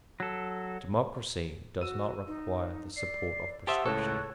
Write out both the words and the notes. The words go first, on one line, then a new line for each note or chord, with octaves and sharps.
Democracy does not require the support of prescription.
F#3 A4
F#4 E6 D#7
D#4
D5 C7
G4 C5 E5 F#5 A5 D#6 E6 A6
C#2 A2 A4 C#5 C#6 F#6